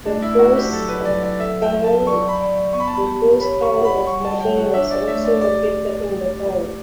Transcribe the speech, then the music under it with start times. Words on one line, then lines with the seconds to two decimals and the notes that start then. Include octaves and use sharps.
The ghost town of Marble was also located in the town.
0.05 A3 D4
0.22 E4
0.39 E4 F#4
0.56 G4
0.72 F#3 A4
0.89 B4
1.05 F#3 D5
1.23 D5
1.39 A4 E5
1.62 G5
1.73 F#3
1.84 A5
2.06 D5 C#6
2.29 B5
2.40 D5
2.73 B3 C#6
2.80 B5
2.87 A5
2.95 B5
3.07 G4
3.40 C#5 B5
3.62 C#6
3.74 F#5
3.85 B5
4.07 G3 C#6
4.25 A5
4.40 C#5 G5
4.57 F#5
4.74 D4 E5
4.91 D5
5.07 A3 E5
5.25 D5
5.41 G4 D5